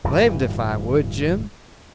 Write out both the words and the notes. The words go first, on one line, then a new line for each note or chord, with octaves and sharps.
"Blamed if I would, Jim."
D1 G2 A#2 E3